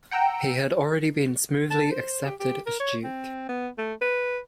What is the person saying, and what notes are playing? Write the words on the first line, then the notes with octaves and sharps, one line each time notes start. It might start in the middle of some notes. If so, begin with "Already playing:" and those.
He had already been smoothly accepted as duke.
F#5 G5 A#5 E6
A5
C5
G4
G4
A#4
C#5
C4
B3
A3
B4